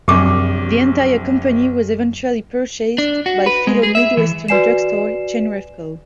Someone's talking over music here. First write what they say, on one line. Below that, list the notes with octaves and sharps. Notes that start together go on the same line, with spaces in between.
The entire company was eventually purchased by fellow Midwestern drugstore chain Revco.
A#1 F#2 C3 G4 D6
D4
F#4
B4
G#3
G#4
E5
E3
F#4 B4 D5 G#5 C7 E7